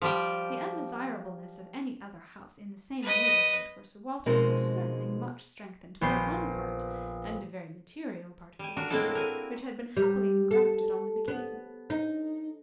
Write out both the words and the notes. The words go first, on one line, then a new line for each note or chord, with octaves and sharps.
The undesirableness of any other house in the same neighbourhood for Sir Walter was certainly much strengthened by one part, and a very material part of the scheme, which had been happily engrafted on the beginning.
F3 G3 G5
B4 D#5
B2 F3 G#3 C4 D#4 A#4
A#1 B3 C5
G3 G#5
D4 F#4 A#4
A2 G#3 A#3 C4 E4 A4
A#4 G#5
G3
A4
B3
D#4